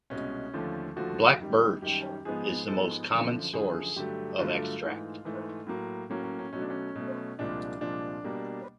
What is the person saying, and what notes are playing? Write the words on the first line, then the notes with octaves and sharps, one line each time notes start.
Black birch is the most common source of extract.
C2 B2 G#3 C#4
D#2 D3 F3 A3
D#2 D3 F3 A3 F#4
F#2 D#3 G3
F#2 D#3 G3 G4
G#2 F3 G#3 B3 G#4
G#2 F3 G#3 B3 A4
F#2 D3 F3
F#2 D3 F3 G#4
G2 D3 F#3 A3 G4
G2 D3 F#3 A3 F4
G#2 E3 A3
G#2 E3 A3
A2 F#3 A#3
A2 F#3 A#3 C#4
C#4
C#4
B2 F#3 A3 C#4
D4
C#4
B2 F#3 A3
C2 A#2 F3 G#3 D4
C2 A#2 F3 G#3 D4
B2 G3 A#3